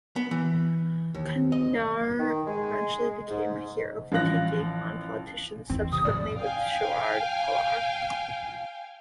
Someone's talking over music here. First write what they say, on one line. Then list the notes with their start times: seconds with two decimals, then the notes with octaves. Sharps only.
Khairnar eventually became a hero for taking on politicians, subsequently with Sharad Pawar.
0.16 B3
0.31 E3
1.14 D#2
1.52 D#5
2.19 D#3
2.47 G#3
3.29 G#2
4.12 A1 F3 F5 F#6 A#6
5.70 E2 E3 C4
5.92 C3 D#6
6.04 A1 G#2 F#3 D5
6.36 F5 G5 G#5